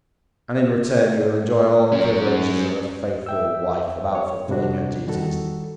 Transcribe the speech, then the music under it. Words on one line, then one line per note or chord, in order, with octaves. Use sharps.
And in return you will enjoy all the privileges of a faithful wife without fulfilling her duties.
F#3 C#4
E5 G5 E6
C#5
G#2 C3 G3 D4 F#4
D#3 G3 F#4 A4